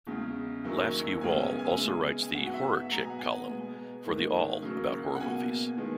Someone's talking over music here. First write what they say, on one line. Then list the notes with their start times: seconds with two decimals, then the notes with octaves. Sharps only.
Lafsky Wall also writes the "Horror Chick" column for The Awl about horror movies.
0.07 E2 C#3 G#3
0.64 F#2 D#3 F#3 A#3
1.21 F#2 C#3 G#3 B3 G#5
1.40 G#5
1.59 G#5
1.78 C#3 G#3 B3
2.23 G#5
2.35 G#2 F#3 B3 F#5
2.47 F#5
2.54 E5
2.91 B2 G#3 B3 A#5
3.01 G#5
3.10 F#5
3.19 G#5
3.49 B2 G#3 B3
4.06 G#2 D#3 A#3
4.63 C#3 F#3 A#3
5.15 F#5
5.20 B2 A#3 G#5
5.77 D#3 G#3 B3